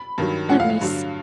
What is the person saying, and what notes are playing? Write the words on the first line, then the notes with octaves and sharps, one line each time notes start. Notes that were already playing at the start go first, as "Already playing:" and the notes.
Let me see.
Already playing: B5
G2 D#3 F#3
A2 F3 G#3 F#5
F5
F5
G2 D3 F#3